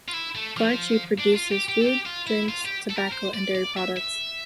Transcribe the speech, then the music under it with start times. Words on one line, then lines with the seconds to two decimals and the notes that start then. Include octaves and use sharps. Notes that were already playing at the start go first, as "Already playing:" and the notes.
Carchi produces food, drinks, tobacco, and dairy products.
0.09 F4
0.14 E4
0.35 A3
0.57 F3
1.20 D4
1.36 F4
1.52 G4
1.69 G4
1.81 A4
1.84 G4
2.05 F4
2.27 E4
2.48 F4
2.65 G4
2.89 A4
2.96 A#4
3.12 C5
3.34 D5
3.55 D5
3.77 E5
3.96 E5